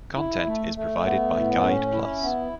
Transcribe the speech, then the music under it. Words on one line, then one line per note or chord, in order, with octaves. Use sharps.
Content is provided by Guide Plus.
E4
A3
A3
B3
A2
C#4
E4
B3